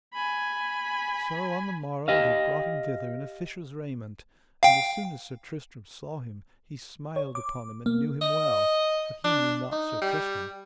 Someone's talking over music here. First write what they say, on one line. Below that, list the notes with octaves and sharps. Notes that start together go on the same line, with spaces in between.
So on the morrow they brought him thither in a fisher's raiment; and as soon as Sir Tristram saw him he smiled upon him and knew him well, but he knew not Sir Tristram.
G#5 B5
G4 D#5 F5
F5 G5
C#5
D6
A#3
D#5
D4
D#4
G3